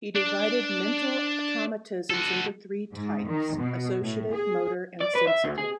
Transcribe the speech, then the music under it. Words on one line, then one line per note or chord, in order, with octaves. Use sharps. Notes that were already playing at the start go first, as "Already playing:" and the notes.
He divided mental automatisms into three types: associative, motor and sensitive.
D4
F#4 A4
G#2
D#3
B2
A2
G#4
D5
B4
E5
D2
G#4